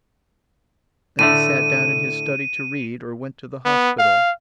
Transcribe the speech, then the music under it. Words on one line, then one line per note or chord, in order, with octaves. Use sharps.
Then he sat down in his study to read, or went to the hospital.
A2 D3 A3 D#7
B3
F5